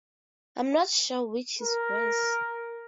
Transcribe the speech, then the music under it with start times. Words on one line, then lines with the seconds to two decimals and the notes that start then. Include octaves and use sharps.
I'm not sure which is worse.
1.61 A#4